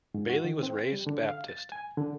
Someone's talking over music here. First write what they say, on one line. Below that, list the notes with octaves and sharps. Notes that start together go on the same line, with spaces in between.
Bailey was raised Baptist.
G#2
F#4
D#3
C4
G3
D3
F5
A6
G#5
D3